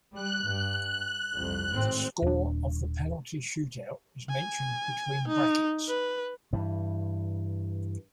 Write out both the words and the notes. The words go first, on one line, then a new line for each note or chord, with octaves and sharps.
The score of the penalty shootout is mentioned between brackets.
G3 F#6
G2
C2 F2
G#1 A2 C4
D#1 D4
G#5
D#4
B4
G2 E3